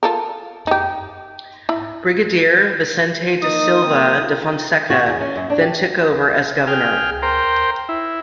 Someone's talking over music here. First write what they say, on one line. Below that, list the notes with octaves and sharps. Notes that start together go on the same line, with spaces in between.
Brigadier Vicente da Silva da Fonseca then took over as governor.
F4 A4 A#4
D#4 G4
E4 B5
F3 A#3 D#4 D#6
A#3 C4 D#4
C2 A#2
F#4
E2
C#4
F#2
D4
G4
G#4 G5 F6
A#4 C5 G5
E4